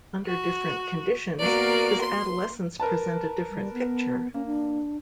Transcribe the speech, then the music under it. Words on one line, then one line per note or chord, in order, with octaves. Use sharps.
Under different conditions does adolescence present a different picture?
F#4
A#3 B3 F#4 A#4 D5
C6
A#4 B4 A5
G3
B3
A#3 C#4
D4